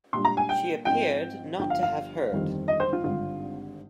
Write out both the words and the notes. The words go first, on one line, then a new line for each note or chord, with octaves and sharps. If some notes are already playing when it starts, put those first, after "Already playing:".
She appeared not to have heard.
A#2 G3 D4 C6
A#5
G#5
G5
G#2 F3 C4 D#4 G5
G1 G2 F3 G5
F5
F5
G1 F2 D#3 G3 C4
D#5
C5
F4
G#1 G2 D3 F4